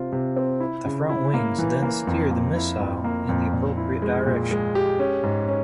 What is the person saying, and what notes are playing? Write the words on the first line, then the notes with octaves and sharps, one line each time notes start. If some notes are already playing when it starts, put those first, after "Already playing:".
The front wings then steer the missile in the appropriate direction.
Already playing: C3 C4 F4
C3
C4
E4
C#3
E4
A#3
E3
A#3
F2
A#3
E4
F2
A#3
F2
A#2
E4
G#3
A#2
G#3
G4
C#4
G#2
C#4